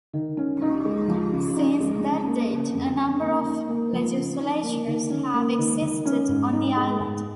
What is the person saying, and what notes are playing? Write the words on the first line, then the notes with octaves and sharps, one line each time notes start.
Since that date a number of legislatures have existed on the island.
D#3
C#4
D#4
G#3
F3
C#3
D#4
G#3
C#4
A#3
C#3
F2
C#4
A#3
D#4
A#3
F3
C#3
D#4
A#3
D#3
C#4
A#3
D#3
D#3
C#4
G#2
D#4
G#3
G#2